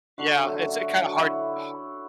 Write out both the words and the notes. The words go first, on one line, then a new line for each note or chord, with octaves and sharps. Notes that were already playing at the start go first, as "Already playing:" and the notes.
Yeah, it's, uh, kinda hard ha
D3 F#4
F#3 A3
D3
F#3 A3
F#4
D3 E4